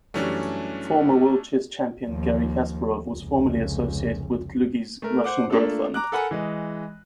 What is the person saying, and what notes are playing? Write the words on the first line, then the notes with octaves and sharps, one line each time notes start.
Former world chess champion Garry Kasparov was formerly associated with Dlugy's Russian Growth Fund.
F#2 E3 G3 A3 C#4 D4
D#2 F3
F1 C#2
A3 A#4
C5 F#5 D6
A3 A#3 D4 F4 A4
A#5 D6 F#6
A4 A#4 F#5 G#5 B5
E3 G#3 D#5